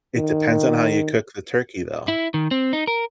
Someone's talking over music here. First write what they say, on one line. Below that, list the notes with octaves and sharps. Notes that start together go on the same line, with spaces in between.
It depends on how you cook the turkey, though.
D#3
E4
D#3
C4
D#4
A#4